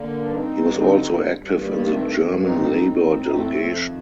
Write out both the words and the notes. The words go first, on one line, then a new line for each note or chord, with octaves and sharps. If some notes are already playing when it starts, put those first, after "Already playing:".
He was also active in the German Labour Delegation.
Already playing: D3 A#3
G2 D4
C4 D#4
G2
D3 C4 D#4
G2
G2
D#3 G3 A#3
G2 A3 C4
G2
A2 C4 D#4
A2
A2
F2 A3 C4
F2
F3
D#3